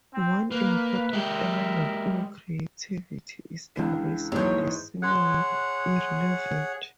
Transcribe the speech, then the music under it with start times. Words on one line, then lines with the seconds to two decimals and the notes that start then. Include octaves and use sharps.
One important element in creativity is embracing the seemingly irrelevant.
0.14 C4
0.52 A#3 B4
1.13 G#3 G4 A#4 E5
3.76 C#2 E3 D4
4.32 D#2 G#2 E3 F#3 G#4 C#5 G6
5.02 G#4 C#5 F#5 C6 F#6